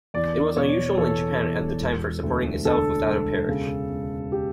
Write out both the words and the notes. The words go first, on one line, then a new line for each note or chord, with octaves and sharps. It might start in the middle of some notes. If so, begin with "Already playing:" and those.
It was unusual in Japan at the time for supporting itself without a parish.
E2 D5
B2 C#5
E2 A4
E2
E1
D2
D3 A4
E1
C#3
E1
G4